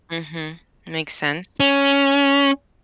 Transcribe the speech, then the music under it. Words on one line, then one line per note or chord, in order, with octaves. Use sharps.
Mhm. Makes sense.
C#4